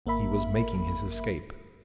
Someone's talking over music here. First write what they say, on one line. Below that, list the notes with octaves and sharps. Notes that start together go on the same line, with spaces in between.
He was making his escape.
G#1 A#3 A#4 E5 B5